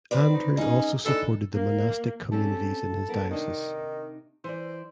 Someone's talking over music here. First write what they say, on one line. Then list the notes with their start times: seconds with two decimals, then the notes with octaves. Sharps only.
Andrew also supported the monastic communities in his diocese.
0.11 C4 B4 D5
0.33 D#4
0.57 C#4 D#4 G#4
1.05 E3 D4 D#4 A4
1.54 A#3
2.32 G3 C4 C#4 A4
3.09 F3 B3 A#4
3.31 C3 D#3 D4 D#4
4.44 E3 C5 D5